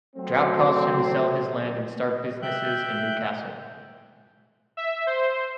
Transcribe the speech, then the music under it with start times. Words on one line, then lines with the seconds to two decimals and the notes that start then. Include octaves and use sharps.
Drought caused him to sell his land and start businesses in Newcastle.
0.16 F#3 A3 C4
2.42 E5 G5 F#6 G6
4.77 E5
5.07 C5